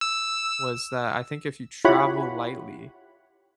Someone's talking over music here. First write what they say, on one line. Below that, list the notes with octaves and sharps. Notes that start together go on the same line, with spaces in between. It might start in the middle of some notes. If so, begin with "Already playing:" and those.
was that I think if you travel lightly,
E6
E4 F4 G4 C#5 F#5 B5